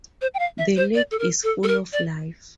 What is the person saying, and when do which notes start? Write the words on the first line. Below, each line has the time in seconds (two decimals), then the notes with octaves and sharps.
The lake is full of life.
0.22 C5
0.34 G5
0.39 F5
0.58 E5
0.77 C5
0.95 D5
1.11 A4
1.19 A#4
1.44 A4
1.63 A4
1.68 A#4
1.93 D5